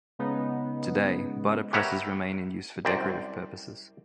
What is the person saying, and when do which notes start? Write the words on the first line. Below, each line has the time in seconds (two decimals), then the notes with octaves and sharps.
Today, butter presses remain in use for decorative purposes.
0.19 C#3 G#3 B3 D#4
1.73 G4 A#4 B4 C#5 E5 F#5
2.85 C2 F#2 C4 D5